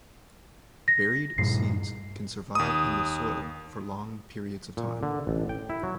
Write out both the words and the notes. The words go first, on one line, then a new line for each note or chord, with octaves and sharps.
Buried seeds can survive in the soil for long periods of time.
A#6
G2 A#2 G3 C7
D#2 D#6
A#2
D3
A1
G5
E4
F#3